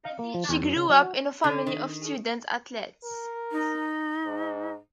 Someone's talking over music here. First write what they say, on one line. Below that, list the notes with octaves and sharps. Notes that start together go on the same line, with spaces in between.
She grew up in a family of student-athletes.
F5
A#3
F3
E2
F#2
C#3
F#3
F#4
D3
D#3
A#4
D#4
G#2